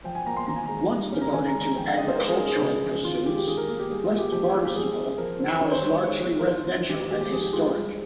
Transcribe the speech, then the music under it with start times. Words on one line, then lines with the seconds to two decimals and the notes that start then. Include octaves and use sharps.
Once devoted to agricultural pursuits, West Barnstable now is largely residential and historic.
0.04 F3 G5
0.15 G#5
0.26 A#3 A#5
0.37 C6
0.47 D#3 A#5
0.56 G#5
0.66 G#3 A#5
0.90 G3
1.12 C#4
1.22 A#5
1.33 D#3 G#5
1.47 A#5
1.54 G#3
1.61 A#5
1.76 F3 G5
1.87 F5
1.97 G#3 D#5
2.08 C5
2.14 A#4
2.19 G#3 C5
2.27 G#4
2.33 A#4
2.40 C#4
2.47 G#4
2.61 C#3
2.83 F3
3.05 D#3 F4
3.15 F4
3.26 G#3 G4
3.37 G4
3.47 D#3 G#4
3.57 A#4
3.69 A#3 G#4
3.79 G4
3.90 G3 G#4
4.04 F4
4.11 A#3
4.18 G4
4.32 F3 G4
4.44 G4
4.54 G#3 F4
4.65 G4
4.75 F3 G#4
4.96 C4
5.18 F3 A#4
5.40 C4
5.60 D#3 C#5
5.72 C5
5.82 G3 C#5
5.93 C5
6.03 G#3 C#5
6.25 C4
6.39 A#4
6.47 F3 C5
6.68 C4
6.89 D#3 G4
7.00 G4
7.11 G#3 G4
7.21 G4
7.31 F3 G#4
7.42 G4
7.53 G#3 F4
7.74 G3